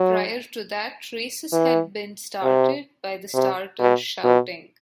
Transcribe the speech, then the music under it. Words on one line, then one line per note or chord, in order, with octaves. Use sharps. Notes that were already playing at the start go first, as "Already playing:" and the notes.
Prior to that races had been started by the starter shouting.
Already playing: F#3
E3
C3
C3
B2
B2